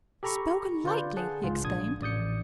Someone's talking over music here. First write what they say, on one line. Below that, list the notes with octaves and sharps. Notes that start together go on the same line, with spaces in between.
"Spoken lightly!" he exclaimed.
G4 A4 A#5 B5 C#6
D3 F4 B4 D5 G6
G#4 F#5 A5
C#2 G#2 F4
A#1 D4 D#6 G#6
A1 D5 D#6 G6 C#7